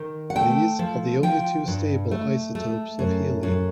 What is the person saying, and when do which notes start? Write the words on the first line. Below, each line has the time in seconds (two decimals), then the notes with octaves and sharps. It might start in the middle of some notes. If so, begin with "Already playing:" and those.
These are the only two stable isotopes of helium.
Already playing: D#3
0.30 F#5
0.35 A3 G5
0.79 F3
1.23 F3 G5
1.68 G2
2.11 A3
2.55 A3
2.99 F#2
3.43 F#2